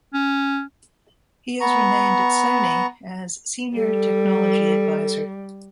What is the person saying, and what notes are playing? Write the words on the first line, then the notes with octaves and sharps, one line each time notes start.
He has remained at Sony as senior technology advisor.
C#4
B3 A#5 C#6
G3 A4